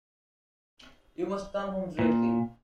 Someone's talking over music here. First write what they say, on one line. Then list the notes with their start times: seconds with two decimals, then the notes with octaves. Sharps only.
You must come home directly.
1.99 A#2